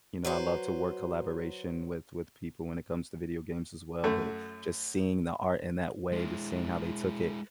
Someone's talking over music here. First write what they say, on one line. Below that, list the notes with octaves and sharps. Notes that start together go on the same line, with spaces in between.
you know, I love to work collaboration with with people, when it comes to video games as well, but, just seeing the art in that way, just seeing how they took it
F#3 B4 C5
F#2 A3
G#3 E4